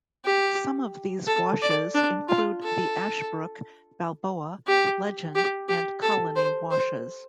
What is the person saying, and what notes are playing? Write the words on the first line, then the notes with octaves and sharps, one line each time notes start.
Some of these washes include the Ashbrook, Balboa, Legend, and Colony Washes.
G4
A4
D5
D4
F4
A4
G4
G4
G4
A4
C5
C5